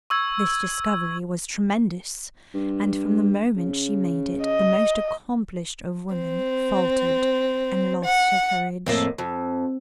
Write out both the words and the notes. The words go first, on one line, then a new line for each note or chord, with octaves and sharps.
This discovery was tremendous, and from the moment she made it the most accomplished of women faltered and lost her courage.
C#6 E6 G#6
G2
C#3
D#5
C4
F#5
F2 A2 A#3
F2